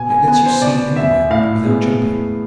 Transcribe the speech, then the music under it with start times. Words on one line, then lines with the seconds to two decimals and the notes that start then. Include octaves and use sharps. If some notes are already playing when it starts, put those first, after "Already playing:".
It lets you see anywhere, but without jumping.
Already playing: B2 G#5
0.10 G#5
0.28 B3 G#5
0.45 C5
0.61 B2 D5
0.96 B3 E5
1.30 A2 F5
1.65 G#3 B3
1.99 A2